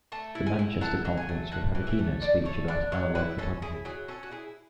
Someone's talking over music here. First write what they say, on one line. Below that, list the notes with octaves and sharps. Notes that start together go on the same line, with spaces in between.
The Manchester conference will have a keynote speech about analogue photography.
A3 A5
E4
G#5
E4
F#3 A5
F#3
G#5
A3
A2 F#5
E3
E5
A3
A2 D5
A3 C#5
D4 B4
F#3 C#5
E4 B4
C#4 A4
E4 G#4
F#3 G#4
C#4 A4
F#4
E4 G#4